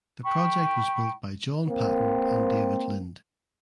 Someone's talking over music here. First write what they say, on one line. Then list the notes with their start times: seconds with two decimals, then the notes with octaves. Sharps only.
The project was built by John Paton and David Lind.
0.23 G5 B5 C#6
1.69 A#3 C4